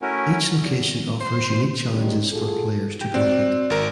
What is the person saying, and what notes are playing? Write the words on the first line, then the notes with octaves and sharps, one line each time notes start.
Each location offers unique challenges for players to complete.
A3 C#4 E4 F#4 A#4
E2
C5
D2 D#3 G3 G#3 C#4
F4 F#4 G#4 A4
G4 G6
C4 F#4 D5 C7
G#1 A#4